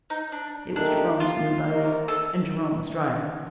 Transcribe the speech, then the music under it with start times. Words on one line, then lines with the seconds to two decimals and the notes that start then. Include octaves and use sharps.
It was Jerome's new buggy and Jerome was driving.
0.10 D#4
0.32 D4
0.76 A3 D4 D#4 G4 A#4
1.20 F4
1.64 C3 D#3 A#3 D#4 A#4
2.08 A4